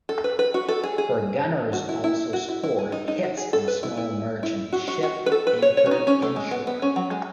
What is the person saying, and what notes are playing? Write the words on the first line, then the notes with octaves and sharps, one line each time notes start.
Her gunners also scored hits on a small merchant ship anchored inshore.
A4
B4
B4
F#4
A4
G#4
G#4
F#4
E4
E4
F#4
E4
E4
G#4
D#4
D#4
F#4
G#4
A4
B4
E4
E4
E4
F#4
F#4
F#4
B4
A4
B4
C#5
C#5
C#4
D#4
C#4
A3
G#3
B3
B3
C#4
F#3
G#3